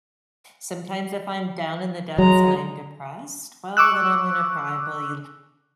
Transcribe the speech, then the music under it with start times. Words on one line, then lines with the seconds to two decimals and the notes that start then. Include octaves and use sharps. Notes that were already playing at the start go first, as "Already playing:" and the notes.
Sometimes if I'm down in the dumps and I'm depressed, well, then I'm gonna probably
2.18 F#3 G#3 A#5
3.77 C#6 D6 E6 F#6